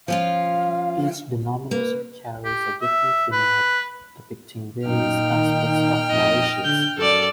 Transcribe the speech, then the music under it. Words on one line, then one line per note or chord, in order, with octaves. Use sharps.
Each denomination carries a different vignette, depicting various aspects of Mauritius.
F3 C#4 F4 F5
A#3 B4
G4
E5
B4
F#2 A#2 D#4 G5 F6
D#3
F2 D#5
D3 G6
F#2 A4 D5